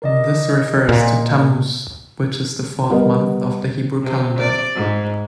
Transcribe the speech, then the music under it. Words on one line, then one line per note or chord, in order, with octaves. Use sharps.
This refers to Tammuz, which is the fourth month of the Hebrew calendar.
A#4 D5 D#5
A#2
G3 B3 A#4 D#5
C3
D5
G#2